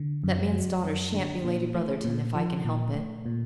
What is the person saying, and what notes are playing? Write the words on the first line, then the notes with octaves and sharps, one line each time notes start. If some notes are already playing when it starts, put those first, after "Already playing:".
That man's daughter shan't be Lady Brotherton if I can help it.
Already playing: D3
F#2
F#3
F#2
D3
A#2
A3
A#2
F3
A#2
A3
A#2